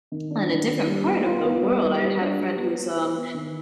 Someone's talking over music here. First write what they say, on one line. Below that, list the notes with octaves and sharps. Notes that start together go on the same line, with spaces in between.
on a different part of the world. I had a friend who's, um,
D#3
D4
D#3
D4
G3
B3
F4
B3
G3
G3
G3
D4
G4
B3
B3
C5
B3
D#3